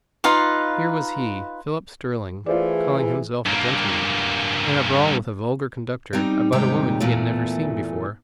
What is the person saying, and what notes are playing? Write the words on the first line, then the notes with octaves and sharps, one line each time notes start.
Here was he, Philip Sterling, calling himself a gentleman, in a brawl with a vulgar conductor, about a woman he had never seen before.
D#4 F4 B4 F5
E3 A3 E4 F4 G#4 C5 D5
G2 A#3
G3 C4 D#4
D#2 G#2 C3 G3 D#4 G5
E2 A#2 E3 A3